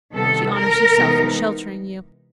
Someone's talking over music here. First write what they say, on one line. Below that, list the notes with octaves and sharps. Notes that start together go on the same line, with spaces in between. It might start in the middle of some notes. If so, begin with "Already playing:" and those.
She honors herself in sheltering you.
C3 D#3 G3 B3 A4
A#4
C3 E3 G#3 B3 D#4